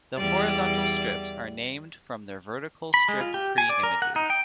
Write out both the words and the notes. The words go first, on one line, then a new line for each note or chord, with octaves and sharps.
The horizontal strips are named from their vertical strip pre-images.
E2 G3 D5
B5
G#3
F4
G4
G#5
D5
A#4
F#5
D#4
G5